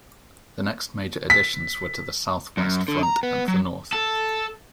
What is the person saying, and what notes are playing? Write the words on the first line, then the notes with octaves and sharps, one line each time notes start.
The next major additions were to the south-west front and the north.
B6
F#2
D3
A#5
B3
F#3
A4